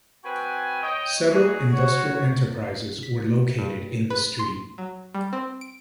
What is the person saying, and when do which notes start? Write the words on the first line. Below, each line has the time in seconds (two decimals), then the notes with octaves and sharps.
Several industrial enterprises were located in the street.
0.24 C4 F#4 B4 G5 G#5
0.83 C#5 D#5 G5
1.30 F#3 D#4 F#4 G#4
1.73 F#4 C#5
3.03 B6
3.59 G2
4.10 B4
4.39 C6
4.78 F#3
5.15 G3
5.33 C4
5.61 D7